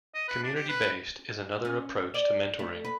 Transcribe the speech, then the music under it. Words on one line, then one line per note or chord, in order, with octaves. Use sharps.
"Community Based" is another approach to mentoring.
D#5
B4
D4
G4
B4
C#4
D5
A3
B4